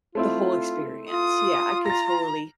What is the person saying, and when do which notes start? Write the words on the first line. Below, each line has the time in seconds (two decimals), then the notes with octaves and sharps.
the whole experience. Yeah, I could totally s
0.15 A3 C4 E4 F4
1.10 F4 D#6
1.86 A#5 A6 A#6